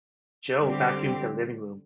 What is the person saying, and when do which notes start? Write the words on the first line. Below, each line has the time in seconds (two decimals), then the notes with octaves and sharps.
Jo vacuumed the living room.
0.64 D3 G3 C4 G4